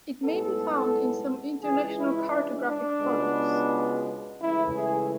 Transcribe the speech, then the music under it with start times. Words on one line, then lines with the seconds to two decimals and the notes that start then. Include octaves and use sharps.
It may be found in some international cartographic products.
0.23 B1 A2 G#3 B3 A4
1.62 C#2 C#3 E3 G#3 G#4
1.96 E4
2.31 D4
2.66 D4
3.00 C#2 B2 G#3 B3
4.39 C#2 C#3 E3 A3 E4
4.74 G#4